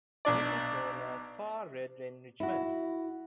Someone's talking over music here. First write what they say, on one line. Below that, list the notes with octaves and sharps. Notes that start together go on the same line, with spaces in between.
This is known as far red enrichment.
B1 D4 D5
E4 F#4